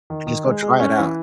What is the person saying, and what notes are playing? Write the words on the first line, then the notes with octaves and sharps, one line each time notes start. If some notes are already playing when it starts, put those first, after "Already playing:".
just go try it out.
D#3
D#3
G#3
G#3
C#4
E3